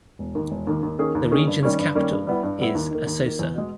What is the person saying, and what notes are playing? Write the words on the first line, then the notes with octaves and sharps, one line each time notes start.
The region's capital is Assosa.
E1
D#2 D#3 A#3
E1
D#2 D#3 A#3
D#2
D#3 A#3 C#4 G#4
D#2
D#3 A#3 C#4 G#4
G2
D#3 G3 A#3 C#4
G2
D#3 G3 A#3 C#4
G2
G3 B3 E4
G2
G3 B3 E4
D#2
D#3 A#3
D#2
D#3 A#3
E2
B2 G#3